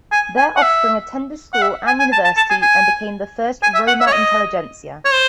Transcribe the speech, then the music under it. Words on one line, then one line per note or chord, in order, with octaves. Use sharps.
Their offspring attended school and university and became the first Roma-intelligentsia.
G#5
G#5
F#5
E5
F#5
E5
G#5
G#5
A5
A5
A5
G#5
G#5
G#5
E5
F#5
E5
C#5
D#5
C#5
C5